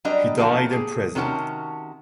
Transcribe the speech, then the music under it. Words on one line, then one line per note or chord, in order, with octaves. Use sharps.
He died in prison.
F#3 G3 D4 B4 D#5 A#5
E3 F3 F#4 A4 A#4
G4 G#4
C3 D#3 C#4 F#4 A#4 A5